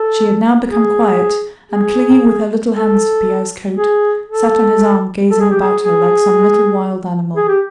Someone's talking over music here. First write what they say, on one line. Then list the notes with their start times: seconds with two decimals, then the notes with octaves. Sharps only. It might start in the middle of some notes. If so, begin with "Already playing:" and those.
She had now become quiet and, clinging with her little hands to Pierre's coat, sat on his arm gazing about her like some little wild animal.
Already playing: A4
0.69 G#4
1.72 G#4
2.75 A4
3.77 G#4
4.29 A4
5.31 A4
5.40 G#4
5.51 G4
5.61 G#4
5.82 G#4
7.36 G#4
7.48 G4